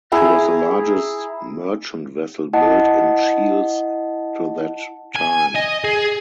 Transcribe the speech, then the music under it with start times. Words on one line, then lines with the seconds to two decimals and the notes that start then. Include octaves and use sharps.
She was the largest merchant vessel built in Shields to that time.
0.12 E4 G#4 G5 A#5
2.53 E4 D#5 F#5 A5
5.15 G#5
5.55 D#5
5.84 G#4